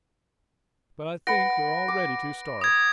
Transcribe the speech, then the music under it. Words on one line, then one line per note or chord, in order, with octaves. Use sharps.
But I think we're all ready to start.
B4 F#5 A#6 D7
D6
D#6 G#6